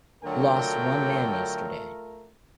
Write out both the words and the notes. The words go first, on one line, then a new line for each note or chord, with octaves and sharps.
Lost one man yesterday.
D3 F#3 A3 F4 A#4 G5